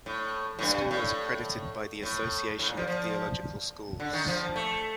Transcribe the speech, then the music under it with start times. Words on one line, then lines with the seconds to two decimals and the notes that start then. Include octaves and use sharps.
The school is accredited by the Association of Theological Schools.
0.06 A2
0.59 A2
0.62 G2
0.91 A2
2.03 A2
2.59 A2
2.68 A#2
2.77 F3
2.88 F3
4.00 D3
4.13 D#3
4.28 F3
4.56 A3